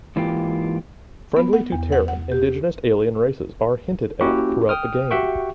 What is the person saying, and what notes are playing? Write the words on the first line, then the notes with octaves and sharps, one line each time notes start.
Friendly to Terran indigenous alien races are hinted at throughout the game.
G#2 E3 A#3 F4 G4
B3
F#5
E2
F#5
F#5
G4
A#3 C#4 E4 F#4 G4
G5 D#6 F6
F#4 G4 E5 F#5 G5 C#6